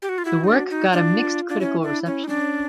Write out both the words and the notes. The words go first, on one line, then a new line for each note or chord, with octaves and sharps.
The work got a mixed critical reception.
G4
F#4
F4
E4 F#4
D#4
D4
D#4
D4 F4
D4 F4
C#4 E4
D4
C#4
D#4
C#4 D4